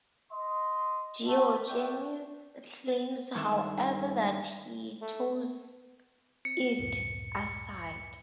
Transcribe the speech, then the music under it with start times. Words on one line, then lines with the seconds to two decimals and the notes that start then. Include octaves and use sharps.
Diogenes claims however that he tossed it aside.
0.32 D#5 C6
1.26 A3
1.68 A3 C4 F#4 D5 E5 G5
3.35 G2 D#3 A3 E5
5.02 A3
6.45 C4 C#7
6.79 C#2 F#2 A2